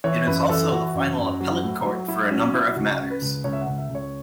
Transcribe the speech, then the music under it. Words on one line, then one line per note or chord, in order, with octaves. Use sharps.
It is also the final appellate court for a number of matters.
E3 C#5
F#2 B4
E3 A4
E3 F#4
F#2
F#2
F#3
A2
F#3
F#3 E4
F#3 C#4
F#3 E4
C#2 F#4
C#3
B4
C#2
C#2 C#5
E5
F#5
C#2
E5
C#2
C#5